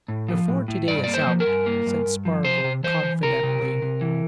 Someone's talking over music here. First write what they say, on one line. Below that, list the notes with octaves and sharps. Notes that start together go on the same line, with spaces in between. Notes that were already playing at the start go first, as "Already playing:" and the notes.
"Before today is out," said Spargo confidently.
A2
F3
A2
A2
G2 D5
A#3 D5
C5
F3
A#4
G2
A#3
G2
G2
F3
C3 C5
C3
E3 C5
E3
C3 A#4
C3
C3
C3
E3